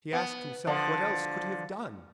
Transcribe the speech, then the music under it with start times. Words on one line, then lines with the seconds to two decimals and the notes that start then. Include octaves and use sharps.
He asked himself what else could he have done.
0.13 B3
0.67 D3 F3